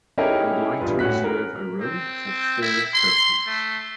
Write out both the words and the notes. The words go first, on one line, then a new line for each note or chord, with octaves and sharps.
I would like to reserve a room for four persons.
C#4 D#4 E4 G4 G#4 A#4
A1 G2 G3 F4 B4
A2 C#4 F#4 F#6 B6
A#4
C4
E4
C6
A3